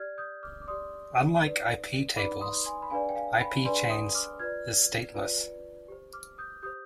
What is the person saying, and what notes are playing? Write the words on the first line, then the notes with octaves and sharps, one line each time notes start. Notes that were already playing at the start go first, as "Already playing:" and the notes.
Unlike iptables, ipchains is stateless.
Already playing: G4 D5 F6 G#6
D#6 G6
D6 F6
D6
G4 D5 C6 D#6
D#4 B4 D5
D#4 B4 D5 B5 D6
C6 D#6
G#5 C6
B5
D4 G#4 B4 D5 F5 G#5
G5
F5 G#5
G5 B5
D4 G#4 B4 D5 G#5 C6
C6 D#6
D6 F6
F4 B4 D5 F6 G#6
F4 B4 D5
G4 C5
D6 F6
D#6 G6
G4 C5 D#6 G6